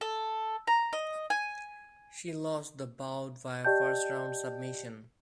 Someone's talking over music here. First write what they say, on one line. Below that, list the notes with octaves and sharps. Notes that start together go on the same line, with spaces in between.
She lost the bout via first round submission.
A4
A#5
D#5
G#5
G4 D5 D#5 G5 A5 G6